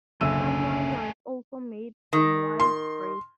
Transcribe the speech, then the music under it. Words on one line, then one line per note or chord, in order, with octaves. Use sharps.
Some wine was also made from wild grapes.
F#1 B1 D3 A3 G#4 E5 E6 D#7
D#3
C6